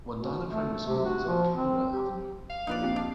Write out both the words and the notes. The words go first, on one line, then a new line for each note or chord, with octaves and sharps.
Wandana Primary School is on Cowra Avenue.
B2
A3
C3
F#4
F3
C4
G4
F5
A#1 D#4 B4 D5
C4 F4 G4
D4